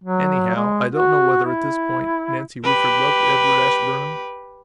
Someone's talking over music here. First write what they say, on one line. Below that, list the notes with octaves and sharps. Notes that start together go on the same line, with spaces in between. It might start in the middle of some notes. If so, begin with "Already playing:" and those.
Anyhow, I don't know whether, at this point, Nancy Rufford loved Edward Ashburnham.
F#3
G#3
F#4
E4
G4 B4